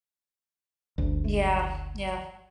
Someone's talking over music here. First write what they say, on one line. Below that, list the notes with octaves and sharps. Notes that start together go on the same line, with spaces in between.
Yeah, yeah.
G1 D2